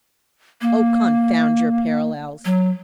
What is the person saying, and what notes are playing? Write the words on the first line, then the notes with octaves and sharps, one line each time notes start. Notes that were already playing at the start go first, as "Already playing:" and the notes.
'Oh, confound your parallels!
A#3
F#3